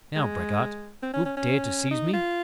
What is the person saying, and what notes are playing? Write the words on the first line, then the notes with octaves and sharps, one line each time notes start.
"Now, braggart, wilt dare to seize me?"
G#3
C4
C#4
C#4
C#4
D#4
F4